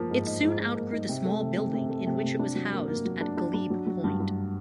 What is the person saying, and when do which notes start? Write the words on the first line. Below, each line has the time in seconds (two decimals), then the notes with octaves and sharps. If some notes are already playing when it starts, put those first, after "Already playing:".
It soon out-grew the small building in which it was housed at Glebe Point.
Already playing: F3 A#3
0.10 G#2
0.27 D#4
0.43 G#2
0.60 G#2
0.75 A#3
0.92 D#4
1.09 C3
1.25 A3
1.41 C3
1.57 C3
1.74 C3
1.89 A3
2.07 C3
2.23 C3
2.39 D4
2.55 F#3
2.73 A#3
2.88 A#3
3.05 F#3
3.21 D4
3.37 D4
3.54 D4
3.70 F#3
3.87 F#3
4.04 G2
4.20 G2